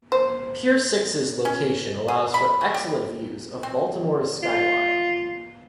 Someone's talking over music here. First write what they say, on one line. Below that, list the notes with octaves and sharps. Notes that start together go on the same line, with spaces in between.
Pier Six's location allows for excellent views of Baltimore's skyline.
C5
C#4
G#4
B5
A3
G4
C4
F4